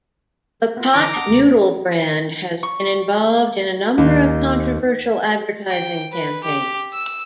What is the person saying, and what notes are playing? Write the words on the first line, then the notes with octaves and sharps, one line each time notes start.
The Pot Noodle brand has been involved in a number of controversial advertising campaigns.
B3 F4
D3 E3 E4 A#5 D6
F#5 A5 D#6
D#2 C3
A#4 C#5
C#6
D#2
G5
B4
G4
E6